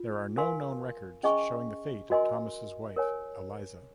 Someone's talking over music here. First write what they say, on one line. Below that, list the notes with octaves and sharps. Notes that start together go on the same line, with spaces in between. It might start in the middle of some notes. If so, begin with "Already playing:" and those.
There are no known records showing the fate of Thomas' wife, Eliza.
Already playing: F4
A#4 F5 G#5 C6
C#4 G#4 D#5 G#5 C#6
F#4 A#4 D#5 G#5 C6
A#4 C#5 G#5